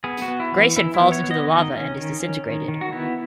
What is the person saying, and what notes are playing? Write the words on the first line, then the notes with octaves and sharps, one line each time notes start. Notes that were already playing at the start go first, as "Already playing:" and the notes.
Grayson falls into the lava and is disintegrated.
B3 G#4
F#4
B3
E4
E3
E3 E4
E4
B3
C#5
B3
D#5
D#3 D#5
C#4
D#3
C#4
D#3
D#3
F#4
B3 E4